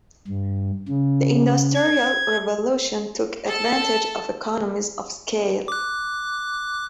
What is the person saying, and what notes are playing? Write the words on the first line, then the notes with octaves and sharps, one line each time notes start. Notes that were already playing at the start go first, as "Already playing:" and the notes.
The industrial revolution took advantage of economies of scale.
G2
C#3
G#6
A4 A5
D6 F#6